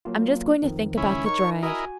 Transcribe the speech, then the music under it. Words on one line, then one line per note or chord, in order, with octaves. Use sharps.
I'm just going to think about the drive.
F#3 A#3 F4
F2 D#3 F3
C#2 D#3 C#4 E4
D#4 A#4 C#5 C#6
E4 F#4 A#4 D#5 G#5